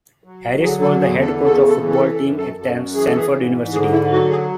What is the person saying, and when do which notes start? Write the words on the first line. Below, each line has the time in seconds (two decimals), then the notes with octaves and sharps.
Harris was the head coach of the football team at Stanford University.
0.24 F#3
0.62 D3 G#4
0.82 A4
1.02 E2 G#4
1.20 A4
1.40 C#3 A4
1.67 A4
1.79 E3
1.90 A4
2.13 F#2 A4
2.37 A4
2.55 F#2 A4
2.95 E3 G#4
3.06 A4
3.16 G#4
3.34 G#2
3.73 D3 G#4
3.92 E4
4.11 F#3 F#4
4.30 G#4